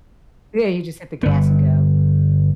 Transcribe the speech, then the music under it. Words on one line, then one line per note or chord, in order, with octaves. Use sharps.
Yeah, you just hit the gas and go.
G1 B3